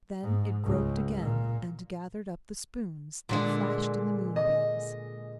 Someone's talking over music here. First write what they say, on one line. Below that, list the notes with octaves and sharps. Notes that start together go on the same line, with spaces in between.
Then it groped again, and gathered up the spoons, that flashed in the moonbeams.
G#2
C#2
A#2
A#2 D3 G#3
D#5